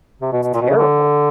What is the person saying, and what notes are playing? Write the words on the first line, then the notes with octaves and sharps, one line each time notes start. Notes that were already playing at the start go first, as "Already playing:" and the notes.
it's terrible.
C3
B2
B2
A#2
B2
C#3
D3